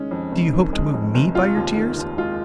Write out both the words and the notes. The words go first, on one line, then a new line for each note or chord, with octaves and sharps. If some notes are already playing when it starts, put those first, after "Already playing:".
Do you hope to move me by your tears?
Already playing: D#3 G#3 C#4
F2
F1
D#3
G#3
F2
F1
G#3 F4
D#2
D#3
D#2
G#3 F4